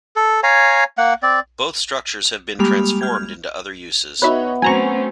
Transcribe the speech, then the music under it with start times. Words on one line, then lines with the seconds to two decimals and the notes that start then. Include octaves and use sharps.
Both structures have been transformed into other uses.
0.16 A4
0.43 C#5 F5 G#5 A#5
0.98 A#3 F#5
1.23 C4 D5
2.59 G3 G#3 A#3 G4 B5 F7
3.01 F6 G6 G#6
4.22 B3 D#4 F#4 B4 C#5 E5
4.62 F#3 A3 C4 C#4 G#5 A#5 C#6 F7